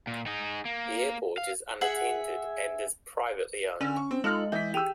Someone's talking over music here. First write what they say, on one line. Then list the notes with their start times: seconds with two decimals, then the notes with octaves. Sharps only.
The airport is unattended and is privately owned.
0.07 A#2
0.26 D#4 G#4
0.65 A#3
1.38 F5
1.81 G#4 E5 F#5
3.81 D3 C#4
3.97 C#6
4.11 C4
4.24 G#3 D#4 F4 A4 F6 F#7
4.52 E3 E4 D#5 E5 G6 B6
4.74 G4 G#4 E6 D#7 F7